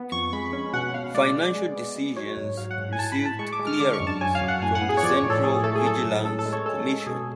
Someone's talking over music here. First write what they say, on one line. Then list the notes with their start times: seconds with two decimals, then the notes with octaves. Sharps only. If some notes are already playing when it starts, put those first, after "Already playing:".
Financial decisions received clearance from the Central Vigilance commission.
Already playing: B3
0.12 F2 C#6
0.33 G#3 B5
0.53 C#4
0.73 B2 F#5
0.94 B2 F5
1.14 G#3 D5
1.35 B3
1.55 G#3
1.76 B3
1.96 G#3
2.16 F#3 C#5
2.37 G#2
2.57 F#3 F5
2.71 F#5
2.78 G#2
2.93 G#5
2.98 A2 A5
3.12 B5
3.18 A2
3.25 A5
3.39 G#3 C#6
3.52 D6
3.59 G#3
3.67 F6
3.80 D3 D6
3.93 C#6
4.00 F#2
4.07 A5
4.21 F#3 G#5
4.35 F5
4.41 F#2
4.48 F#5
4.62 A2 G#5
4.75 F#5
4.82 B3
4.89 G#4
4.97 C#5
5.03 F3 D5
5.16 C#5
5.23 A2
5.30 A4
5.43 A2 G#4
5.64 A3 A4
5.75 G#4
5.84 F#3 A4
6.05 A2
6.25 C#4 A4
6.39 A4
6.45 G#3
6.53 C#5
6.66 C#4 A4
6.87 G#3
7.00 A4
7.07 B2 G#4